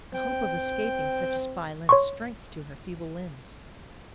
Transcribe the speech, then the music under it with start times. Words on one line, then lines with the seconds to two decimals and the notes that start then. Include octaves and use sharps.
The hope of escaping such a spy lent strength to her feeble limbs.
0.14 C4 G5
1.89 C#5 C6 C#6